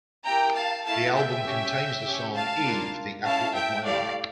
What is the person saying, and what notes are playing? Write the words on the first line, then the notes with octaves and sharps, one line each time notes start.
The album contains the song, "Eve, the Apple of My Eye".
A#3 E4 G4 G5 A#5
F5 A5
A3 E4 A4 F5 A5
E5 G5
C#4 G4
C#4 G4
F5 A5
A#3 D4 F4
C#4 E4 A4 F5 A5
E5 G5
A3 E4 G4 D5 F5